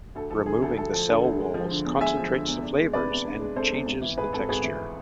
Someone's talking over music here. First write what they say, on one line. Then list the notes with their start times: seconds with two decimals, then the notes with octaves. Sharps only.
Removing the cell walls concentrates the flavours and changes the texture.
0.15 D2 A4
0.31 F3 A4
0.46 D3 G#4
0.61 D2 A4
0.77 D2 A4
0.92 F3 A4
1.09 D3 A4
1.24 D2
1.40 G#3
1.54 F3
1.71 D3
1.85 E2
2.01 G#3 E5 G#5
2.17 F3
2.33 D3
2.47 E2
2.62 D4
2.78 G#3
2.93 C3 B4 D5
3.10 E2
3.25 D4
3.40 G#3
3.56 C3 A4 C5
3.72 E2
3.86 G#1
4.02 E3
4.17 G#2 G#4 B4
4.33 G#1 A4
4.49 G#1 G#4 B4
4.64 E3